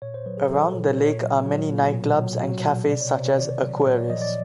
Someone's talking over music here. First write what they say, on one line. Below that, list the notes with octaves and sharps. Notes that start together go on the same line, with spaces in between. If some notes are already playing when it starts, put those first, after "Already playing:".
Around the lake are many nightclubs and cafes such as Aquarius.
A#2 C#5
C5
F#3 B4
G#4
F#3 A4
A#2
A#2 C#5
F#3
F#3
A#2
B2
F#3
F#3
B2
C3 D5
C#5
C3 C5
C#5
D#3 D5
F#3
A#2 C#5
D5
F3 D#5
D5